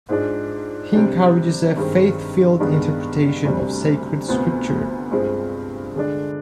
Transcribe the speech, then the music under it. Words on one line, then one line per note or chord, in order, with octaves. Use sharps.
He encourages a "faith-filled interpretation of Sacred Scripture".
G#2 F3 G#3 D4
C3 G3 D4 G4
G2 D#3 G#3 C4
G2 D#3 G#3 B3 D4
D2 C3 G3 D4
D2 C3 F3 B3
G2 F3 G#3 C4
D3 G#3 D4